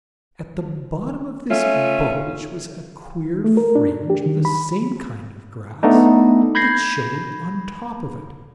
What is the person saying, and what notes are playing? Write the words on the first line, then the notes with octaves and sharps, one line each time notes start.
At the bottom of this bulge was a queer fringe of the same kind of grass that showed on top of it.
A3 C#4 F4 E5
A3
A#4
D4
G4
D#3
B5
A3 B3 D4 D#4
B5 G6 G#6 A#6 C7